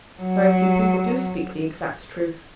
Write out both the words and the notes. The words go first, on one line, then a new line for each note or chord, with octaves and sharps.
'Very few people do speak the exact truth.
F#3